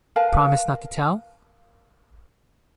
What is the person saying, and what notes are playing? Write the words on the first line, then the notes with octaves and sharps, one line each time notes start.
Promise not to tell?
A#4 B4 F5 A5